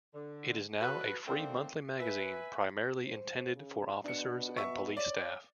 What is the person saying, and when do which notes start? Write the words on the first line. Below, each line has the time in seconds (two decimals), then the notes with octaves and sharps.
It is now a free monthly magazine primarily intended for officers and police staff.
0.14 D3
0.80 F#4 A4 B4
1.27 D3 D#3 A3 A#3 C4 D4
2.00 B4 E5 G#5
3.04 C5
3.55 C#3
4.04 B2 D4 C#7
4.57 E5 C#6
4.97 C#5 D5